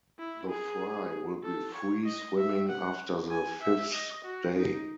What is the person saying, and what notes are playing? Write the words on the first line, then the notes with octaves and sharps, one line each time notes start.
The fry will be free-swimming after the fifth day.
E4
G#4
A4
C#5
D#5
E5
F#5
G#5
E5
D#5
F#4
D#4